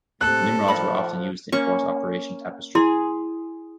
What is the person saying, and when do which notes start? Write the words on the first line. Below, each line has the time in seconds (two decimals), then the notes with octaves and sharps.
The Nimrods were often used to enforce Operation Tapestry.
0.21 A2 C3 A4 F#6
0.68 D#3 F3 B5
1.52 A#3 C#4 C#6
2.75 E4 G#4 C6